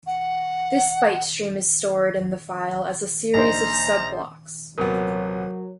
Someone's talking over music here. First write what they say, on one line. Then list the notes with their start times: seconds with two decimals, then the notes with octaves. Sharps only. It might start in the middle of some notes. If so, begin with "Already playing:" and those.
This byte stream is stored in the file as a series of "sub-blocks".
0.06 F#5
3.34 A#1 D#4 C5 A#5
4.78 D#1 C3 F#3 B3 A#4